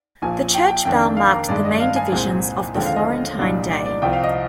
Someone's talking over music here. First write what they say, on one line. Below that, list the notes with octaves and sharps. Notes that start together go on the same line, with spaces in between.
The church bell marked the main divisions of the Florentine day.
A#1 A#2 F3 G#5
G5
G5
F2 D#3 A#3 D4 G5
F5
A#4
G2 D#3 G#3 D5
D#5
F5
G#5
C2 A#2 G#3 C4
D#2 D3 F3 G#3 C4 G5
F5
D#5
C2 A#2 G3 D4
D5
D5
C2 C3 F3 C4 G5
F5
D#5